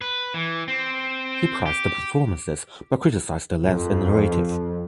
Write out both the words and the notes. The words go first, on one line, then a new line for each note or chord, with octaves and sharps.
He praised the performances but criticised the length and narrative.
B4
E3
C4
G4
F2